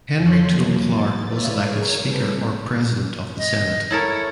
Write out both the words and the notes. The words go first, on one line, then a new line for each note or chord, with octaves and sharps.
Henry Toole Clark was elected Speaker or President of the Senate.
F2 A4 C#5 C6 F#6
E3 F#3 A#3
A6
B4 C#5 D5 E5 F5
G#4 A#4 C#5
G3 C4 A4 B4
D#5
E4 A4 A#4 C#5